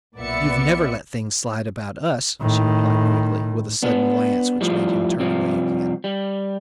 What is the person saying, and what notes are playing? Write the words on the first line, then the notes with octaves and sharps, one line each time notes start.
"You've never let things slide about us," she replied quickly, with a sudden glance which made him turn away again.
B1 A#2 B3 D5 E5 C#7
A2 D#3
B3 D4
A2 F3 G3
C3 F3 G3
G3